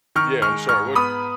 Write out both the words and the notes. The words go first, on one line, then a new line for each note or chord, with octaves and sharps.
Yeah, I'm sorry, what?
D#3 C#6 F6
G#3 C#6 F6
G#2 C#6 F6
B3 B5 D#6